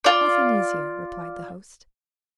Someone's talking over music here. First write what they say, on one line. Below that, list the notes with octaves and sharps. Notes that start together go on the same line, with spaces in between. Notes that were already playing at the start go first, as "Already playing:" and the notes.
"Nothing easier," replied the host.
F4 D5